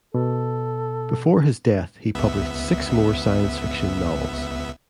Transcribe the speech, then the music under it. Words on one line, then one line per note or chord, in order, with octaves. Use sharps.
Before his death he published six more science fiction novels.
B2 A4
C#2 B3 E5